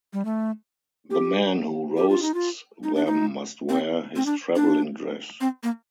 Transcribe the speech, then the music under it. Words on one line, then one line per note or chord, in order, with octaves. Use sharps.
The man who roasts them must wear his travelling dress.
G3
A3
G4
G4
F4
D#4
F4
D#4
D4
D#4
C4
C4
D4
D4
C4
A#3